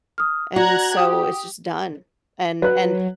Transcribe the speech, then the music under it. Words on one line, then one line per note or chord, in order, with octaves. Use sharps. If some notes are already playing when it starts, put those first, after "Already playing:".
And so, it's just done, and and
D#6 F6
F#4 D5 A#5 F#6 G#6
G4 G5 D#6
F#3 B4 F#6